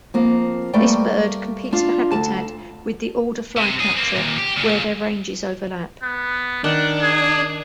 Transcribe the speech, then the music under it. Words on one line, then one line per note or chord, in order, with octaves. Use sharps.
This bird competes for habitat with the alder flycatcher where their ranges overlap.
F3 A#3 C4
G3 A3 A#3 B4 D5 G5
D4 F4
D2 A5
C3
C#2 G#4
A#3 C4
D#2 A#2
G4
A#2 C#3
B3
D#3 D4 F#5
G#4